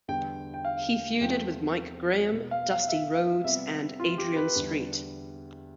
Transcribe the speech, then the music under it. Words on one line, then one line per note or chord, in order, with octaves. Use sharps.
He feuded with Mike Graham, Dusty Rhodes, and Adrian Street.
E2 D3 G3 B3 G5
G5
F5
E2 C3 F3 A3 G5
B2 B3
F5
F5
E5
F5
C3 G3 B3 E5
F4
G4
B4
E2 D3 G3